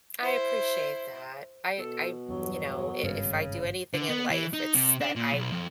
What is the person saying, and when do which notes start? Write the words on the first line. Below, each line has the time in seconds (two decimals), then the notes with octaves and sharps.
I appreciate that. I I you know, i if I do anything in life, it's that I r
0.19 E4 C5
1.78 B2 A4
2.29 E2 G2 F#3
3.03 G#1 G2 C#3
3.94 D3
4.09 B3
4.30 E3
4.53 D#4
4.75 C3
5.01 D4
5.16 A#2
5.33 B1
5.52 F2